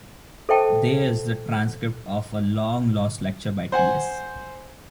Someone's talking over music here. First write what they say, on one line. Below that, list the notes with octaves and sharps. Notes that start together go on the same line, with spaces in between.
There's the transcript of a long-lost lecture by T. S.
A4 C5 E5 G5 A5
C5 F#5 G#5